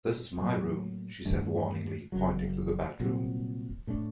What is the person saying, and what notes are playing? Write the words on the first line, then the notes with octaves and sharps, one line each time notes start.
"This is my room," she said warningly, pointing to the bedroom.
A2 F#3 A#3
G2 D#3 A3 D4
F#1 F#2 F#3
C2 A#2 F#3 C4
A2 A3 D4